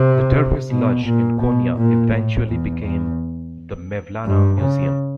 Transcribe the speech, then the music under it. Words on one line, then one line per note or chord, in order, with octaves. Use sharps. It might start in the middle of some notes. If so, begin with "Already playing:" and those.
The Dervish lodge in Konya eventually became the Mevlana Museum.
Already playing: C3
B2
A#2
B2
A#2
A2
E2
E2
G2
C#3